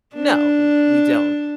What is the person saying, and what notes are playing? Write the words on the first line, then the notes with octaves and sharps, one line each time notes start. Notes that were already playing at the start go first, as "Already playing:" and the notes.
No. W we don't.
D4